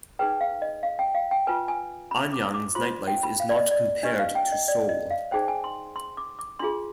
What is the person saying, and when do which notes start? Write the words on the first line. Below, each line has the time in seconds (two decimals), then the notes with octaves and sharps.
Anyang's nightlife is not compared to Seoul.
0.19 D#4 G#4 B4 G5
0.41 F5
0.62 D#5
0.83 F5
0.99 G5
1.15 F5
1.31 G5
1.47 F4 B4 G#5
1.68 G#5
2.11 B5
2.33 D6
2.54 D6
2.75 F4 C5 C6
3.07 G5
3.23 B5
3.40 F5
3.49 D5
3.56 D#5
3.71 D5
4.03 D4 G4 B4 D#5
4.19 F5
4.35 G5
4.52 D#5
4.68 D5
4.89 D#5
5.11 F5
5.31 D#4 G#4 C5 G5
5.48 G#5
5.64 C6
5.96 C6
6.17 D6
6.39 D6
6.59 D4 F4 G#4 C6